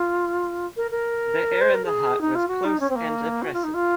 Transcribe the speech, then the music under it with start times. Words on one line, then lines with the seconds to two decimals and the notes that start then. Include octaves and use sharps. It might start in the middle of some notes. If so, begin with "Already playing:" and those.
The air in the hut was close and oppressive.
Already playing: F4
0.76 A#4
0.91 A#4
1.61 C5
1.74 A#4
1.85 G#4
2.21 D#4
2.35 F4
2.48 F#4
2.64 D#4
2.80 C#4
2.89 C4
2.95 A#3
3.42 F#4
3.53 F4
3.64 D#4
3.74 F4